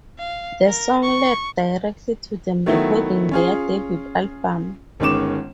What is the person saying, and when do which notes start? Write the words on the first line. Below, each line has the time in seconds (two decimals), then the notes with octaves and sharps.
The song led directly to them recording their debut album.
0.19 F5
0.66 A#4
1.03 C#6
2.66 D#3 F#3 A3 B3 E4
3.31 C#4 F4 G#4
5.00 G1 D#3 G#3 C#4 D6 E7